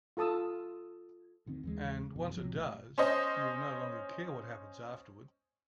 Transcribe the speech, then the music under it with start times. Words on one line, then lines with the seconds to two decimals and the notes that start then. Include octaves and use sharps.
And once it does, you will no longer care what happens afterward.
0.17 F4 A4 A5 D#6 E6
1.46 D2 D3 D#3 C4
1.63 D#2 E3 G#3
2.16 F1 F2 B2
2.36 B1 C3 F3 F#3
2.53 A1 A#2 A3
2.98 C#4 C5 D#5